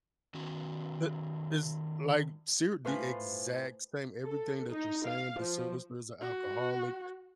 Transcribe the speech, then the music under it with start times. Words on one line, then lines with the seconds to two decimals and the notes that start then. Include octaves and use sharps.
the is, like, ser the exact same everything that you're saying, the sister's an alcoholic,
0.34 D#3 C#4 F#4
2.85 A2 F4 B4 C5 F5 G#5
4.26 A4
4.71 D#4
5.06 F5
5.40 F3
6.21 F#4